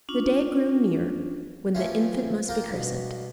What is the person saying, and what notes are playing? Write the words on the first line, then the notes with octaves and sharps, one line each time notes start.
The day drew near when the infant must be christened.
C#4 D4 F4
E3 F3 A3 C4 C#4
A#3 F4 A#4 G5
G2 B2